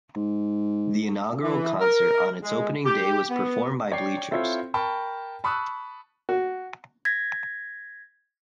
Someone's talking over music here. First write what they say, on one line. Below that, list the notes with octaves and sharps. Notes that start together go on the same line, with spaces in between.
The inaugural concert on its opening day was performed by Bleachers.
G#2
E3
A#4
G#3
G4
B3
C#5 D5 G5 C7
C4 E4 F4 A4 C5 C#5
A#4 G5 A5 B5 C#6
A5 B5 C#6 D#6 E6 F#6
F#4
G#6 A#6 B6